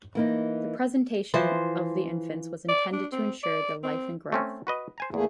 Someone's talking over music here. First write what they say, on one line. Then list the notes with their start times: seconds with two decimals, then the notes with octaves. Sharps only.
The presentation of the infants was intended to ensure their life and growth.
0.15 E3 A#3 D#4
1.34 E3 F3 C5
2.69 D5
2.93 D4
3.12 C4
3.43 D5
3.83 C4
4.32 A3 C4 C#4
4.67 F#4 B4 D#5
4.98 C5 G#5 A#5
5.14 E2 A3 A#3 G#4